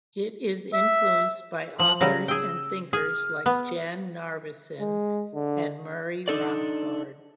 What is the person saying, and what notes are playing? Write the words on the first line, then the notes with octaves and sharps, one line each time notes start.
It is influenced by authors and thinkers like Jan Narveson and Murray Rothbard.
E5
F3 F#7
C#3 F#3 G3 A#6
G#4 G5 E6
G#4 F6
B3
G#3
D3
D4 D#4 A4 D5